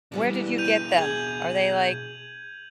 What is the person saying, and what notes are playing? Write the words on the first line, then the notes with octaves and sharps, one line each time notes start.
Where did you get them? Are they, like,
B2 E3 G3 B3 D4
G6 D#7 F7
G#4 G#6 F#7